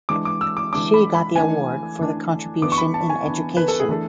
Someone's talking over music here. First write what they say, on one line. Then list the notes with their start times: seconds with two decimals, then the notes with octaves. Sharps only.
She got the award for the contribution in Education.
0.09 E3 G#3 D4 D6
0.25 D6
0.41 E6
0.57 D6
0.72 E3 G#3 D4 D6
0.94 B5
1.15 B5
1.35 E3 A3 D4 G#5
1.99 E3 A3 D4
2.62 E3 B3 D4 D6
2.72 C#6
2.78 B5
2.94 A5
3.10 G#5
3.25 E3 B3 D4
3.57 B4
3.68 A4
3.80 G#4
3.88 E3 A3 D4 A4